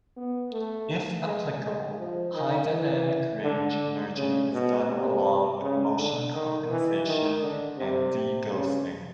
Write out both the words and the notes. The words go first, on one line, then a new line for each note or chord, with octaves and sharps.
If applicable, high dynamic range merging is done along with motion compensation and deghosting.
B3
A3
G#3
G#3
F3
D#3
E3
D3
C#3
B2
C3
C#3
D3
D#3
E3
D#3
D3
C3
C#3